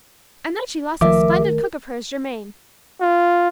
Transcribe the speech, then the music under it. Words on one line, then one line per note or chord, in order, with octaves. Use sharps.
And then she lost that splendid cook of hers, Germaine.
C#2 D#3 F3 A3 A#4 E5 D6
F4